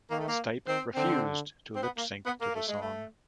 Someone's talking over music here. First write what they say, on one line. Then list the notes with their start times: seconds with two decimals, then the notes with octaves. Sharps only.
Stipe refused to lip sync to the song.
0.10 D#3 A#3
0.19 A3
0.27 A#3
0.67 D#3 C4
0.94 D3 C4
1.75 C4
1.83 B3
1.97 A#3
2.26 B3
2.41 A#3
2.55 A3
2.68 G#3
2.82 A3